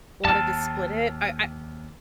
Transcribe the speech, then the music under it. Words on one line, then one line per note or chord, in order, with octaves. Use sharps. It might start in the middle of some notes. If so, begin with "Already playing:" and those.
wanted to split it. I I
D#2 A5